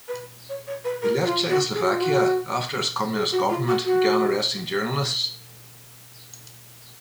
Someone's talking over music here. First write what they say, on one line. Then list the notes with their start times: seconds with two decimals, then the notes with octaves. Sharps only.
He left Czechoslovakia after its Communist government began arresting journalists.
0.08 B4
0.49 C#5
0.67 C#5
0.84 B4
1.02 A#4
1.25 F4
1.49 F#4
1.74 G#4
1.82 F#4
1.91 F4
2.01 F#4
3.15 G#4
3.32 F#4
3.50 F4
3.68 F#4
3.85 F#4